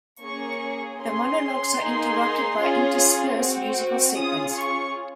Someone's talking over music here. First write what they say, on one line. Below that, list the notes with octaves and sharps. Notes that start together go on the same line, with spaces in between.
The monologues are interrupted by interspersed musical segments.
A#3 C#4 G#4 C#6
C#4 G#4 C6
A#3 D#4 G#4
C#4 F4 G#4
C4 F#4
C#4 F4 G#4 D#6
C#6